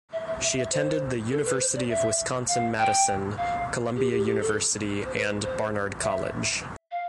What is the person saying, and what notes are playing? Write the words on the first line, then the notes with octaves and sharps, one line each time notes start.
She attended the University of Wisconsin-Madison, Columbia University and Barnard College.
E5
E5
E5
E5
C5
A4
B4
C5
D5
E5
F5
G5
F5
G4
G4
G4
A4
C5
B4
C5
E5
F5